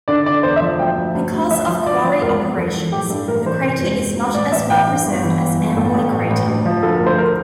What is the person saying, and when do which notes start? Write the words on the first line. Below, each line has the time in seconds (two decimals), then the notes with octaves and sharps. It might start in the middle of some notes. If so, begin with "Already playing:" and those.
Because of quarry operations, the crater is not as well preserved as Amboy Crater.
0.08 D3 D5
0.26 D3 D5
0.43 E2 C5
0.56 E5
0.61 F3
0.79 D2 G5
0.97 D2
1.15 D2
1.32 D2
1.51 F3 E5
1.68 F3
1.86 D2 D5
2.04 F3
2.22 E1 A#4
2.39 E2
2.56 E1 A4
2.75 E3
2.92 A1 G4
3.10 G2 A4
3.28 A1 A#4
3.45 E3 C5
3.63 C3
3.81 E1
3.99 E1
4.17 D2
4.34 A1 D5
4.52 A1 E5
4.70 E3 G5
4.87 G2
5.06 G1
5.24 E3
5.41 G1
5.59 G1
5.76 A1 A4
5.95 A1
6.12 A1
6.30 A1
6.47 D2
6.65 F3
6.83 D2 A4
6.95 A#4
7.01 D2
7.06 C5
7.18 A#4